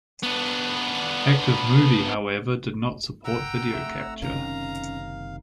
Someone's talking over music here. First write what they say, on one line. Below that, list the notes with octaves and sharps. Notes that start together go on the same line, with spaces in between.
ActiveMovie, however, did not support video capture.
B3 D4
F#5 G5 A#5 E6
C3 A3 E5
F#1 C3 D#3 C#4 F5 A#5